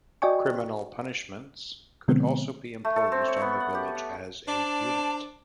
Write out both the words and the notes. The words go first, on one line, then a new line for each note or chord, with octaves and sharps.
Criminal punishments could also be imposed on the village as a unit.
F#4 D5 D#5 G5 G#5 C#6
B2 D3 F3 G#3 B3 C4
A3
A4
C4
C#5
B3
F#5
G4
F#5
D4 C5 D5 A5